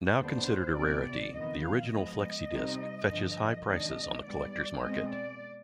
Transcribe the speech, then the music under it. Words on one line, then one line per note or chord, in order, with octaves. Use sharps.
Now considered a rarity, the original flexi-disc fetches high prices on the collectors' market.
D#2 D3 G3 B3 D4 C5
C3 F3 B3 D5
F2 D#3 B3 D#5
F5
G#2 F3 G#3 B3 D#5
C3 G3 C4 D#4
G2 D3 F3
C3 D#3 G#3 D4 D#5
G#2 G3 B3 D5
B2 G#3 C4 D#5
D5